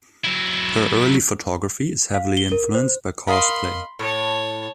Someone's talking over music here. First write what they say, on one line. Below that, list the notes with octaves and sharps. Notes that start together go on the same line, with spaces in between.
Her early photography is heavily influenced by cosplay.
F#3 E4
F5
G7
A#4
C5
A#4 D#5 F5 B5 C6
A2 C#5 A5